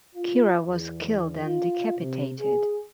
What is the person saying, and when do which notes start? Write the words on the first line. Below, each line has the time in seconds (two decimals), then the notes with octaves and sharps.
Kira was killed and decapitated.
0.15 F4
0.67 E2
1.44 F4
1.98 C3
2.39 G#4